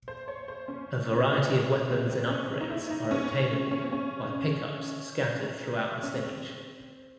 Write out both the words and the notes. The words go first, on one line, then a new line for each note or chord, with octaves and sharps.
A variety of weapons and upgrades are obtainable by pick-ups scattered throughout the stage.
C5
C#5
C5
C#4
C4
C4
C#4
D#4
E4
D#4
C#4
C#4
C4
C#4
C#4
C4